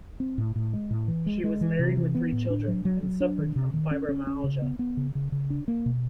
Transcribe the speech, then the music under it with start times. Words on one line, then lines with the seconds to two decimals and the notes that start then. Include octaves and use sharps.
She was married with three children, and suffered from fibromyalgia.
0.20 C4
0.38 A2
0.56 A2
0.73 G#3
0.91 A2
1.08 E3
1.26 G#3
1.44 G#3
1.61 E3
1.79 C3
1.97 E3
2.15 B3
2.32 A2
2.50 D4
2.68 F#3
2.85 F#3
3.03 F#3
3.20 D4
3.38 D#3
3.56 C3
3.74 D#3
3.91 C#4
4.09 C#4
4.27 C#4
4.44 C#3
4.62 B3
4.79 B3
4.97 C#3
5.15 C#3
5.32 C#3
5.50 D4
5.68 A#3
5.86 B2